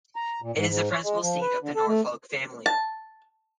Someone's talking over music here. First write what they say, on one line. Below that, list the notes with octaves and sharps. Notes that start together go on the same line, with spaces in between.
It is the principal seat of the Norfolk family.
A#5
A#2
G#2
G#2
C#5
G#3
F3
B4
D3
A4
A3
A5